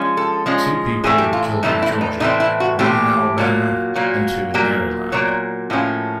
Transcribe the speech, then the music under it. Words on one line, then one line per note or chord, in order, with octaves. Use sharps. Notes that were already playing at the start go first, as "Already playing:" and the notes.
Two people were killed in Georgia, one in Alabama, and two in Maryland.
Already playing: F3 G#3 C#4
A4
F3 G#3 C#4
A2 E3 A3 C4 G#4
G4
F4
A2 E3 A3 C4 D#4
E4
D#4
A2 E3 A3 C4 D#4
E4
F#4
A2 E3 A3 C4 G4
A#2 F#3 A#3
A#2 F#3 A#3
A#2 F#3 A#3 G4
A#2 F#3 A#3 C#5
A2 F3 A#3 C#4